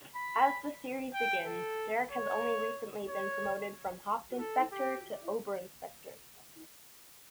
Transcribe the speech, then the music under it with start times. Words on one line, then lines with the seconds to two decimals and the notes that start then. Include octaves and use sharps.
As the series begins Derrick has only recently been promoted from "Hauptinspektor" to "Oberinspektor".
0.15 B5
1.14 G5
1.45 A4
2.11 C#5
3.09 C#5
4.39 A4
4.72 G4